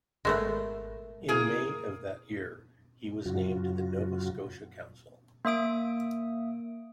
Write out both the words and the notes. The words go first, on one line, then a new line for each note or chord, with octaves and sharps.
In May of that year, he was named to the Nova Scotia Council.
G#1 G#3 A3 B3 A4 A#4 E5
C#3 A#3 C4 E4 G#4
F#2 C#3 F#3 F4 F#4
A#3 E5 D#6 D7